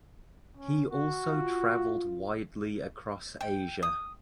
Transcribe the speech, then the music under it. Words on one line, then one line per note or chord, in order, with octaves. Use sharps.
He also traveled widely across Asia.
C#4
F#4
F4
G5
D#6